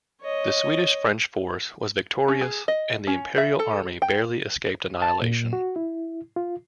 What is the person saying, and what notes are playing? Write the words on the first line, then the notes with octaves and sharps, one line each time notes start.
The Swedish-French force was victorious, and the Imperial army barely escaped annihilation.
C#5 D#5
C#4
G#4
D#5
C#4
E5
A4
G5
A5
A#2
F#4
E4
F4